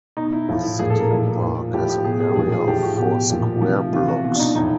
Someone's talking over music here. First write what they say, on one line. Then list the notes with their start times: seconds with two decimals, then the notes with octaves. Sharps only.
The city park has an area of four square blocks.
0.17 B2 D#4
0.32 E4
0.48 A2 F3 F4
0.64 E4
0.79 A#2 F3 G#4
0.90 A4
1.00 A#4
1.11 A#2 F3
1.42 A#2 F3
1.74 A2 F3 G4
1.89 G4
2.04 B2 G#4
2.20 G#4
2.32 G4
2.36 A#2 F3 G#4
2.52 G#4
2.68 A2 F3 G4
2.83 F#4
2.98 B2 G4
3.30 A#2 F3
3.62 C3 F3
3.93 C3 E3 F4
4.08 F#4
4.24 B2 F4
4.36 D4
4.39 D#4
4.55 A2 F3 D#4